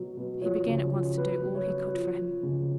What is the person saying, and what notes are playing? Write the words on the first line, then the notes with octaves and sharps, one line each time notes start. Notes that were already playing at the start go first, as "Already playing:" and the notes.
He began at once to do all he could for him.
Already playing: B2 F#3
B2
F3 C#5
C#3
C#5
F3
F#3 B4
F#3
C#5
F#3
F3
F3
C#3